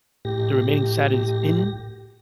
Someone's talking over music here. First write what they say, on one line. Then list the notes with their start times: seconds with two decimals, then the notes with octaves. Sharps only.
the remaining Saturdays in
0.25 A2 G4 A#6